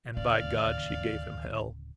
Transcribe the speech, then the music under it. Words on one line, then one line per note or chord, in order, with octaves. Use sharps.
And, by God, she gave him hell.
D1 D#2 C#3 D5 F5